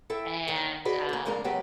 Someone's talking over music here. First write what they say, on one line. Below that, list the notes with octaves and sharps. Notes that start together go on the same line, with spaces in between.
and, um,
E4 A4 E5 G5
D#2 D3
F#4 G#4 B4 D5 D#5
A#3 B3
F2 G#3 A#3 D4 A#4
F#2 C3 F#3 G#3 B3 G4